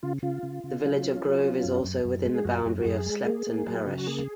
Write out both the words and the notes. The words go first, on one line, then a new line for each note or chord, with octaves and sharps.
The village of Grove is also within the boundary of Slapton parish.
C#3 F4
C#3 F4
C#3
C#3
F#3
C#4
F#3
C#4
F#2
F#2
F#2
G#3
G#4
F#2 F#4
F#2
F#4
F#2 G#4
G#3
A#3 G#4
A#3
F#3
C#3
F#4
A#3 G#4